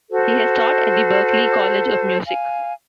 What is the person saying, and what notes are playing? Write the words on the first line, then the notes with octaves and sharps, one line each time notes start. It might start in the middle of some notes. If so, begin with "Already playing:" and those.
He has taught at the Berklee College of Music.
F#4 A4 C5
F5 G#5